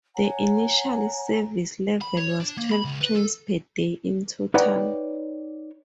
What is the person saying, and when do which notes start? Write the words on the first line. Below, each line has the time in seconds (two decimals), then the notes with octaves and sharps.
The initial service level was twelve trains per day in total.
0.15 C#5 F#5 G#5 A#5
2.01 B5
2.17 C#5
2.40 D4
2.57 A#3
2.71 B5
2.85 C#2
3.01 B4
3.15 A4
4.54 D#4 B4 C#5 D5 F#5 G5